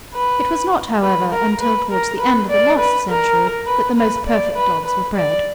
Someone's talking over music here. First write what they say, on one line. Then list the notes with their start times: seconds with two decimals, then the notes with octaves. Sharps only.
It was not, however, until towards the end of the last century that the most perfect dogs were bred.
0.15 B4
1.02 B4
1.32 A#4
1.61 B4
1.91 A#4
2.20 B4
2.50 D5
2.78 B4
3.09 A#4
3.67 B4
3.97 B4
4.27 D5
4.56 B4
4.85 B4
5.15 D5